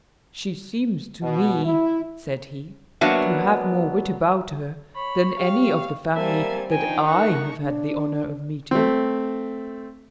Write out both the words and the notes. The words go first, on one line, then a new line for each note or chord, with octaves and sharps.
"She seems to me," said he, "to have more wit about her than any of the family that I have had the honour of meeting."
B2
E4
F#3 A#3 B3 D4 F#4 E5
C#5 B5
G4 F5
G3 A#3 C4 E5 G#5 A5
D#3 F3 D4 D#4 G5 G#5
A#4 F#5 C#6
D4
A3 C4